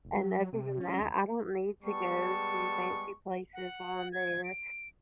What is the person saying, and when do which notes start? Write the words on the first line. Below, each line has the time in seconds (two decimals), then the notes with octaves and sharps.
And other than that, I don't need to go to fancy places while I'm there.
0.05 F1
0.16 F#3
0.53 C3
0.80 C#4
1.01 D2
1.84 G3 G#3 B3 G#4 A5 C#6
3.53 F#5
4.12 G#6
4.44 D7